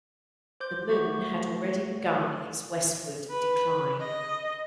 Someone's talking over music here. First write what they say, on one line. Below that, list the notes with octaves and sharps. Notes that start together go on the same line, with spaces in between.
The moon had already begun its westward decline.
C5 D6 G6
A3 F#4 C#6
B4
D#5